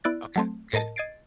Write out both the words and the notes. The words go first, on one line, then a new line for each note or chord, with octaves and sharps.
Okay, good.
B3 E4 D5 F#6 A6
F#3 A3 C4
A2 A#4 D#5 A5
D#5 G#6 A6 C7 D7